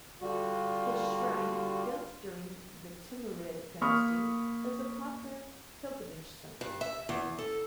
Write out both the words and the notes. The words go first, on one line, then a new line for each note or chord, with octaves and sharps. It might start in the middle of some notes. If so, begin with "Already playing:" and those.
His shrine, built during the Timurid Dynasty, is a popular pilgrimage site.
D3 G3 F4 F#4
A#3 B5 C#6 D#6 F6
G2
E5
E2
A4